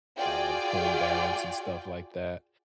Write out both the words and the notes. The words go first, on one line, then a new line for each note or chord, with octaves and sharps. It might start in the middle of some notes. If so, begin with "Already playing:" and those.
um, home balance, and stuff like that.
F4 F#4 G#4 D5 G5